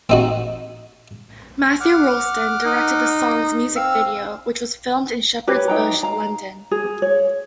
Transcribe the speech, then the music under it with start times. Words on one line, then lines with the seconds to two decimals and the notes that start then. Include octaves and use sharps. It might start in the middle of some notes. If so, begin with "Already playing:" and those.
Matthew Rolston directed the song's music video, which was filmed in Shepherd's Bush, London.
0.10 C4 D#4 F#4
1.80 F#5 D6 F6
2.66 D#4
3.76 C4 F5 E6
5.47 G4 B4 C#5 B5
5.68 D#4 G5 A#5
6.03 F5 A#5
6.71 G#4
7.02 C#5